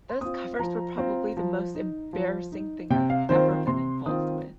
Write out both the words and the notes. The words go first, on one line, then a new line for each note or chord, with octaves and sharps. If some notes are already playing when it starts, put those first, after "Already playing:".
Those covers were probably the most embarrassing thing I've ever been involved with.
C6
C4 F4 D#6
F3 A#5
C4 F4
F3
D#4
F3
D#4
C3 G5
F5
D#3 C4 F4 C5
C5
C3 C6
D#3 C4 F4 D#6